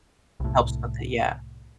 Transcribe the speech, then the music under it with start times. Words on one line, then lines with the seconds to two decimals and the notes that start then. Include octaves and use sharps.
Helps with it, yeah.
0.40 C2 A2